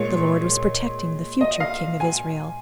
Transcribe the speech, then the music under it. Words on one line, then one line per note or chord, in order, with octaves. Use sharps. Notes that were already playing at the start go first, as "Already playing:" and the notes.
The Lord was protecting the future king of Israel.
Already playing: A#2 G#3 C#5
D#5
F5
G#5